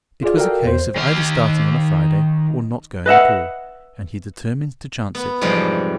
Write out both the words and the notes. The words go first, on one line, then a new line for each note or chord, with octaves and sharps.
It was a case of either starting on a Friday or not going at all, and he determined to chance it.
F4 G#4 D5 F5
F#4 A4 A#4 D5 F5 G5
E2 C5
D#3 F5
B4 D#5 E5 F#5
B3
F2 G#2 C3 E3 F3 G3